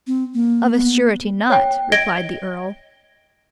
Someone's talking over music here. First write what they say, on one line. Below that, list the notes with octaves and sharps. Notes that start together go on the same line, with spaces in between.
"Of a surety not," replied the earl.
C4
A#3
B3
C#5 G5
D#5 G#6 A#6 D7 G7